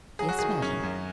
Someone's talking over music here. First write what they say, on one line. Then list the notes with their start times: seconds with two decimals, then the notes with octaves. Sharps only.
"Yes, madam."
0.19 F#3 G#4
0.29 F#4
0.39 G#4
0.41 D#3
0.62 F#2 C#4
0.83 F#2